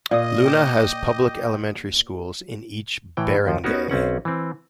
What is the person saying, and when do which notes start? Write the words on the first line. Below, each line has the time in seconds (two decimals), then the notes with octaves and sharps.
Luna has Public Elementary schools in each barangay.
0.11 A#2 D5 D#5 F5 D#6
0.46 G5 D6 G6
3.17 A2 E3 G5
3.47 D#2 F3
3.64 B3 C#4 D#4 F#4 A#4
3.89 B1 C4 C#4 F#5
4.25 E3 C4